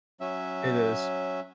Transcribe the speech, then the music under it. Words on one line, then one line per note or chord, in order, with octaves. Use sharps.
It is.
F#3 C#4 E5